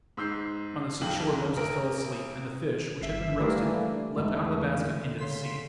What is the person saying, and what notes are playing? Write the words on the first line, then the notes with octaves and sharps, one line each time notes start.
On the seashore Moses fell asleep, and the fish, which had been roasted, leapt out of the basket into the sea.
G#2 E6 G6 C7
B1 F2 C#3 A4 G5 F#7
A1 A#4
G1 E5 C7
E3 G3 A3 A#3 D4
E2 G#2 E3 A3
D3 D4
C#3 C6 B6